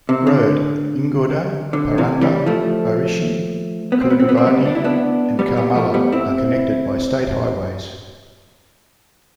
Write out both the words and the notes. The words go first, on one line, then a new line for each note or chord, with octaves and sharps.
Road: Ingoda, Paranda, Barshi, Kurduvadi, and Karmala are connected by state highways.
C3
D3
D3
C3 E3
E3 G3
F3 A3
B3
C4
B3
C4
B3
C4
G3 B3
D4
E4
B3 D4
G3 B3
G3 B3
F3 A3
G3 B3
C4 E4